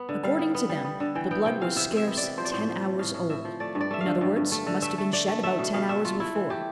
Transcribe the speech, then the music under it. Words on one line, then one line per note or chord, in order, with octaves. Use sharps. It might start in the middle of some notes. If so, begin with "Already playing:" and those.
According to them the blood was scarce "ten hours old:" in other words, must have been shed about ten hours before.
Already playing: B3
D3
G3 F5
B3
B3
G3
B3
D3
E3 G5
B3 G5
C3 G5
E3 F5
C3 E5
C3
E5
B3
D5
C3
F3 C5
D5
A2 C5
F3
A3
A2 F5
A2
A2 E5
F3
A3 D5
G2
D5
A3 E5
F5
D3
G2
G2
A3
D3
A3 E5
A3
A3 D5
A3
A3 E5
B2
B2 F5
A3 E5
A3 F4
A3 E4
E3
A3 G4